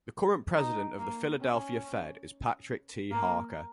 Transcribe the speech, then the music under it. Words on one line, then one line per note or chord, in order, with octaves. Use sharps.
The current President of the Philadelphia Fed is Patrick T. Harker.
D#4
A#3
C#4
A#3